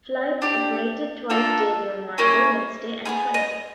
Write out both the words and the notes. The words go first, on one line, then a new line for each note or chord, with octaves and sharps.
Flights operated twice daily on Monday, Wednesday and Friday.
D4 G4
A#3 D4 F4 A4
A#3 C#4 E4
B3 E4 G#4
D#5